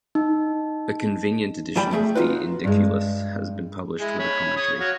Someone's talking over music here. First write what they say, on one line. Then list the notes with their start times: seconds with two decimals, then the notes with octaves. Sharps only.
A convenient edition of the Indiculus has been published with a commentary.
0.15 D#4
1.76 G#2 F#3 G3 G5 B5
1.93 A3 G#4 E5
2.15 D#4 F4 F#4 B4
2.64 G2 G#3
4.00 G#3 E4
4.19 C#5 B5
4.56 C#5 D#6
4.80 F#4 C#5 F5